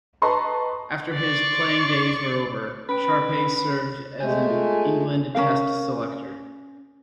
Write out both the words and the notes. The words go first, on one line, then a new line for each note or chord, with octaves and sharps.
After his playing days were over, Sharpe served as an England Test selector.
B4 D#5 A5 A#5 C6 C#6
D5 C6 C#6
C#4 B4 B5 D7
G#3 A3 G4 G#5 G6
F4 D#5
C#4 D#4 A#4 F5